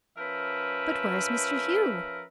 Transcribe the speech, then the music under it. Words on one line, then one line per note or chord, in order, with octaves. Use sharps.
"But where is Mr. Hugh?"
F3 C#4 A#4 B4 E5